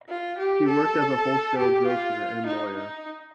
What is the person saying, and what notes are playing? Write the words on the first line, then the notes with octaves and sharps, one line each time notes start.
He worked as a wholesale grocer and lawyer.
F4
G4
A4
G4
F4
D#4
D#4